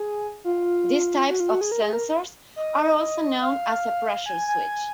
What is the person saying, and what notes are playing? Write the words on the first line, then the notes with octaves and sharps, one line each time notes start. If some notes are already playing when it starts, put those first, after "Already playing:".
These types of sensors are also known as a pressure switch.
Already playing: G#4
F4
F#4
F4
F#4
G#4
A#4
G#4
A#4
D#5
F5
G#5
G#5